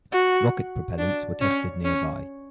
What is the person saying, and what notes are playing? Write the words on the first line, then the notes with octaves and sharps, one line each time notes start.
Rocket propellants were tested nearby.
F#4
D4
C#4
C#4